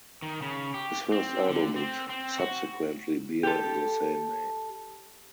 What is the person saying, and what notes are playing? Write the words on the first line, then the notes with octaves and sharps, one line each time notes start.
His first album would subsequently bear the same name.
D#3
C#3
G4
C4
D3
C4
C4
F#4
G4 A4